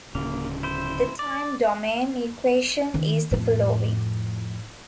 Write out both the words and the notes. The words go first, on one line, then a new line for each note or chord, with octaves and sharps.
The time-domain equation is the following.
D1 C#3 A#3
E4 C5
D5
D#3
F2 A2